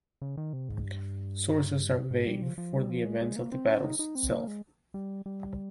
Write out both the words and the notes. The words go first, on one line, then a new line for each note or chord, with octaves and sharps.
Sources are vague for the events of the battle itself.
C#3
D#3
C3
G#2
G2
G#2
G3
F3
F3
G3
F3
G#3
G#3
A#3
C4
C#4
D#4
D#4
C4
A#3
G#3
G3
G3